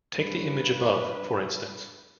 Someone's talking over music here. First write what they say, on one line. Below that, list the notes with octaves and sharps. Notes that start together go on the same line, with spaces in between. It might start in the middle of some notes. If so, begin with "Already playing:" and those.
Take the image above for instance.
G2 C#3 B4